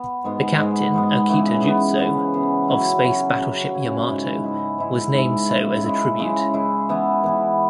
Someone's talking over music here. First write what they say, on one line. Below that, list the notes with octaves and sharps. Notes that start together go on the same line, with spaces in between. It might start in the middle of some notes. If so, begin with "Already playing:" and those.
The captain, "Okita Juzo" of Space Battleship Yamato was named so as a tribute.
Already playing: B3
G#2 G#3 B3
G#2 G#3 B3
G#2 G#3 B3
C#3 E3 B3
C#3 E3 B3
C#3 E3 B3
C#3 E3 B3
C#3 F#3 C#4 E4
C#3 F#3 C#4 E4
C#3 F#3 C#4 E4
C#3 F#3 C#4 E4
G#2 G#3 E4
G#2 G#3 E4
G#2 G#3 E4
G#2 G#3 E4
C#3 G#3 E4
C#3 G#3 E4
C#3 G#3 E4
C#3 G#3 E4
E3 B3 E4
E3 B3 E4